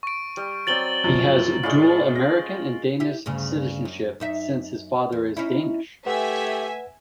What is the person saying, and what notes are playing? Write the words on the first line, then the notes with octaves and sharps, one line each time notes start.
He has dual American and Danish citizenship, since his father is Danish.
C#6 D7
G3
F#3 C4 D5 A6 F#7 G7
F#2 A#2 F3
A2 G#3 C#4 F4 D5
A#6
E4 G4
D2 G2 C#3
F#2
F#2 D#4 E5
E2
C#4 D#4 E4
A3 G4 B4 E5 F#5 G#5